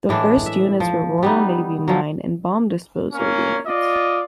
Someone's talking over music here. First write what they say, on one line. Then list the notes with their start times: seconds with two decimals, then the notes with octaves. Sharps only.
The first units were Royal Navy Mine and Bomb Disposal Units.
0.09 A2 E3 G#3 D4
0.46 E5
0.80 F3
1.23 G3 B3 D#4
1.88 F3 F#3
3.13 A#3 C#4
3.67 F4 D5 D#5